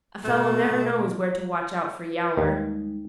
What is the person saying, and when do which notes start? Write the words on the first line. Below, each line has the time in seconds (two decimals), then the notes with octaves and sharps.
A fellow never knows where to watch out for Yowler.
0.24 B2 A3
0.69 B2
2.09 F4 B4
2.37 D#2 G3 G#3 D#4